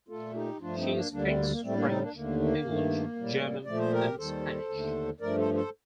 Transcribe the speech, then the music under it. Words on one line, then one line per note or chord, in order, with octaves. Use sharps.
She speaks French, English, German and Spanish.
A#2 A3 F4 A4
D#4 G4
G2 F3 A3 D4 F4
C4 D#4
A#3 D4
D2 D3 G3 A#3 D4
A3 C4
A#3
A#3
A2 G3 A3 C4
A#3 D4
C4 D#4
A#3 D4
D#2 D3 A3 A#3
A#3
G2 D#3 A3
A2 G3
A#2 F3 A3 D5
C5
G4 A#4
D#2 D#3 G3 A4 C5
D#2 D3 A3
G2 F3 A3 A#4 D5
A4 C5
A4 C5